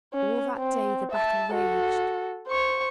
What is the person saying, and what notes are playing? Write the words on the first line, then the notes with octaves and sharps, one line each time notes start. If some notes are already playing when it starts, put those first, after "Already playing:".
All that day the battle raged.
C#4
C4
E5 A5
F#4 A4
C5 C#6